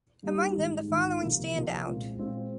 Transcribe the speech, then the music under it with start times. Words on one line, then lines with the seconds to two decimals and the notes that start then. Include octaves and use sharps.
Among them, the following stand out.
0.23 G2 G3 A#3 D#4 G4
0.55 G#1 G#2 D#3 G#3
0.88 G#1 G#2 D#3 G#3
1.21 C3 F3 A#3 F4 A#4
1.54 C3 F3 A#3 F4 A#4
1.86 A#2 G#3 C4 F4
2.19 A#2 G#3 C4 F4